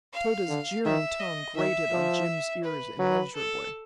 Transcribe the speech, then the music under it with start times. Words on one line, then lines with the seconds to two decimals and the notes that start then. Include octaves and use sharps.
Tode's jeering tone grated on Jim's ears immeasurably.
0.14 F5
0.49 D3
0.85 D#3 E5
1.20 D#5
1.56 D#3 E5
1.92 F3
2.64 B4
2.99 F#3 B4
3.35 A4